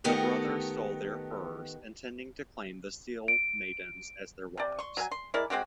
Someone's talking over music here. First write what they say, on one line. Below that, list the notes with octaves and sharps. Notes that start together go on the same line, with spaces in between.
The brothers stole their furs, intending to claim the seal-maidens as their wives.
D#3 A3 B3 G4 A#4
D7
C3 D5
C6 C#6
F#3 A#4 G#5
C6
G#3 E4 A#4 D5
G#3 C4 F#4 G4